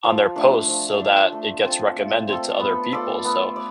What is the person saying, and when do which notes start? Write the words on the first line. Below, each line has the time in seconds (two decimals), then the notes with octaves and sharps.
on their posts so that it gets recommended to other people. So,
0.04 F3
0.36 A3 D4
0.68 F3
1.00 A3 D4
1.32 A3
1.64 C4 F4 A4
1.96 A3
2.28 C4 F4 A4
2.60 B3
2.92 F4 A4 D5
3.25 B3
3.56 D5